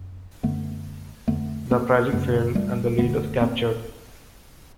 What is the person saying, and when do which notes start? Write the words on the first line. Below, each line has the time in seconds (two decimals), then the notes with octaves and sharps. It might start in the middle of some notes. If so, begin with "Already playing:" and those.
The uprising failed and the leaders captured.
Already playing: F#2
0.43 F#2 D3 A3 B3
1.28 F2 D3 A3 B3
1.71 A#3 C4
2.13 F#2 C#3 A3 B3
2.55 G3 A3
2.98 F#2 D3 A3 B3
3.41 A#3 C4